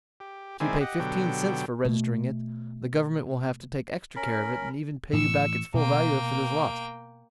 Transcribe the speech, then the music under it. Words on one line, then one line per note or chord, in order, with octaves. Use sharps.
And if you pay fifteen cents for registering it, the government will have to take extra care of it and even pay you back its full value if it is lost.
G4
D#3 G#3 C4 E4 D5 G#5
G4 D#5 F#5
B2 D3 F#3 G4 G5
B2 A3
C#4 A#4 B5
A2 E3 C#6 E6
B2 A#3 G5